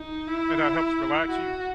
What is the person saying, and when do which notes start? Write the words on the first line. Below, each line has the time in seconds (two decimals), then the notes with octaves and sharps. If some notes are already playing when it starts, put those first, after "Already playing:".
And that helps relax you?
Already playing: D#4
0.28 E4
1.28 F#4